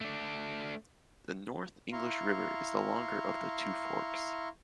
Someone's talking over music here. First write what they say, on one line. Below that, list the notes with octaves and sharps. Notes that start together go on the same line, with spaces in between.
The North English River is the longer of the two forks.
A3 D4
E4 F5 A#5 C6 C#6